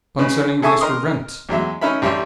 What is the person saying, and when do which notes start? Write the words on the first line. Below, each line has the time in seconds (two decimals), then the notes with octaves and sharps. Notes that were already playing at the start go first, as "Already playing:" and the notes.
"Concerning Mr. Wrent."
0.19 C#3 B4 D#5
0.62 G#4 A4 E5 G#5 C#6 D#6
0.81 A#4 D#5 C6 D#6
1.49 E2 F#3 G#3 E5
1.81 C#4 D#4 A#4 E5 B5
2.02 A1 G3 E5 C6